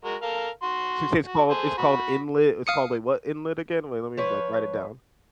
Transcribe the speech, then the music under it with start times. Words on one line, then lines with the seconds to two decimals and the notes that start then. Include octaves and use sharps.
So, you say it's called it's called inlet it's called, like, what inlet again? Wait, let me, like, write it down.
0.05 G#3 F#4 A#4
0.22 A4 A#4 F5
0.63 F#4 C6
1.25 F#4
1.50 G#4 A4 C5
1.77 F#4 B5
2.67 F5 D#6 C#7
4.17 F3 B4 C#5